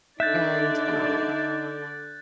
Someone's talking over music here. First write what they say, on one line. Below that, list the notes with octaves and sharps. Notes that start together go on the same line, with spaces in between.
and, um,
D3 D#4 D5 E5 F#6 G6 A6